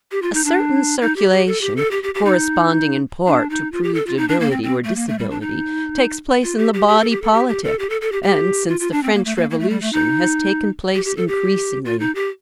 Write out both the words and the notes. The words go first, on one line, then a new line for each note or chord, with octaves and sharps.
A certain circulation, corresponding in part to proved ability or disability, takes place in the body politic, and, since the French Revolution, has taken place increasingly.
G4
F4
D#4
D4
D#4
G4
G4
A4
G4
A4
G4
G4
G4
D#4
D4
D#4
F4
G4
A4
F4
D#4
D4
A#3
C4
C4
A3
A#3
A3
G3
D4
D#4
F4
G4
G4
G4
A4
G4
A4
G4
G4
A4
G4
A4
A4
G4
G4
F4
F4
D4
C4
A#3
A3
A#3
A#3
A3
G3
A3
D#4
G4
G4
A4
G4
F4
D#4
G4